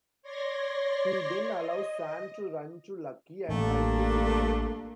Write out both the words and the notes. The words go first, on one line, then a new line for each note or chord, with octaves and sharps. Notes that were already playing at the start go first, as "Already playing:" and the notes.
He then allows Sam to run to Lucky and try to save him.
C#5 D5 C6 G#6 A#6
D#5
A1 G3 A3 A#3 D4